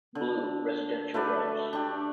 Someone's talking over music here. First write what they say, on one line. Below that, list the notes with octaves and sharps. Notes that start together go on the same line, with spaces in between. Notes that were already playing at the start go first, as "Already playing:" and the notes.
Blue: Residential Routes.
D3
A3 F#4 B4 D5
D4 G4